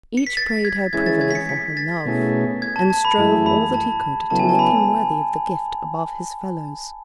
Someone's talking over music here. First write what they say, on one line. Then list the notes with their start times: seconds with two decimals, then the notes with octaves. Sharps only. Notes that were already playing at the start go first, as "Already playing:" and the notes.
Each prayed her privily for her love, and strove all that he could to make him worthy of the gift, above his fellows.
0.17 C#7
0.27 B6
0.37 A6
0.65 G#6
0.93 E3 G#3 C#4 E4 G#4 G#6
1.06 A6
1.21 G#6
1.31 B6
1.35 C#7
1.49 B6
1.77 A6
2.05 B2 A3 C#4 E4 G#4
2.62 G#6
2.76 A5
2.90 A5
3.05 B5
3.18 F#2 E3 A3 E4 G#4
3.46 B5
3.74 A5
4.30 C#3 F#3 B3 E4 A4 A5
4.39 G#5
4.49 A5
4.59 B5